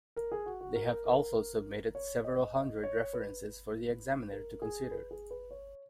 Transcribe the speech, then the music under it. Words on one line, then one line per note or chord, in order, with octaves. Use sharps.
They have also submitted several hundred references for the examiner to consider.
A#4
G#4
F#4
F#4
A#4
A#4
C#5
D#5
D#5
C#5
B4
A#4
G#4
B4
G#4
B4
C#5